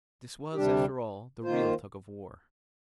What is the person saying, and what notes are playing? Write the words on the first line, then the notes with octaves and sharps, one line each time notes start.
This was, after all, the real tug of war.
D2 C3 G3 D4 G4
D#3 A#3 F4 C5